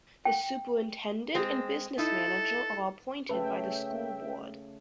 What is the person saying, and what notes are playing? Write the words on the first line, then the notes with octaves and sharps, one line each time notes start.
The Superintendent and Business Manager are appointed by the school board.
G5
G#3 C4
D#4 E4 A4
C#3 A3 B4 E5 G5